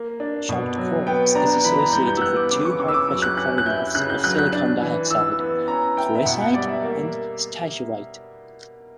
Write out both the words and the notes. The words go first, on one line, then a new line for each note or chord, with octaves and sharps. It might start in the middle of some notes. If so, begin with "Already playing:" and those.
Shocked quartz is associated with two high-pressure polymorphs of silicon dioxide: coesite and stishovite.
Already playing: A#3
D4
B2
F#3
B3 G5
D4 A#5
E3 B5
A#5
G3 G6
G6
E6
B3 F#6
D6
C#3 D6
C#6
C#3 C#6
E6
D6
F#3 E6
F#6
C#4 F#6
F#6
E4 G6
C#3 F#6
G6
F#3 F#6
F#6
D4
E3
E3 E6
B3
C#4 A#5
E4 G5
E5
B2 F#5
F#5
G3 D5
E5
A#3